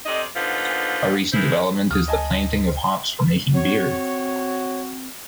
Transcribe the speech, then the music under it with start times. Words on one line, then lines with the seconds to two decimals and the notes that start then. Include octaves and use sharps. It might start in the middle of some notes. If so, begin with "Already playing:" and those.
A Recent development is the planting of hops for making beer.
0.06 C3 C4 A4 D5 D#5
0.36 D#2 D3 B3 D#4 F4 C5
1.33 B3 E4 G#4 A#4 C5
1.91 D2 D#6 F6
2.08 D#5 G#5 A5
3.54 C4 F#4 C#5